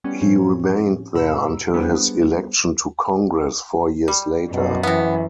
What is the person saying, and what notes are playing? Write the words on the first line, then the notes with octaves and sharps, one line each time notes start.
He remained there until his election to Congress four years later.
G3 B3 C#4
A2 F3 C4 C#4
G2 B2 A#5 B5 E6
G3 B3 D4 G#4 B4 C5
G3
F#2 B2
C3 E3 B3